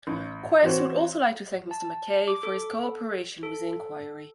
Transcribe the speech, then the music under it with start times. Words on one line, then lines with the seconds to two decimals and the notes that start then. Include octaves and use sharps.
Quest would also like to thank Mr McKay for his cooperation with the inquiry.
0.07 A1
0.62 E3 C4 F#4 C5 C#5
1.71 A5
2.28 D6
2.43 A4
3.43 A4